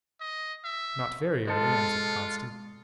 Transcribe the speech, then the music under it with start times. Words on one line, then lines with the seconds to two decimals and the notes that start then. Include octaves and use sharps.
"Not very early," answered Constance.
0.20 D#5
0.64 E5
1.48 G#3 F4 A4